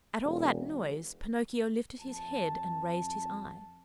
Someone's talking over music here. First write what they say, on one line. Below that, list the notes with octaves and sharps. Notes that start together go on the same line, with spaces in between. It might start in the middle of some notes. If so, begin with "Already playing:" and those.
At all that noise, Pinocchio lifted his head and raised his eyes.
E1
F2 A5